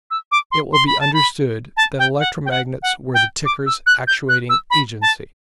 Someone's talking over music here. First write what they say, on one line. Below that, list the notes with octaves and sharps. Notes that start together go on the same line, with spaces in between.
It will be understood that electromagnets were the ticker's actuating agency.
E6
D6
C6
C6
B5
A5
B5
A5
G5
F#5
G5
F#5
F#5
G5
D6
E6
F#6
G6
F#6
E6
B5
A5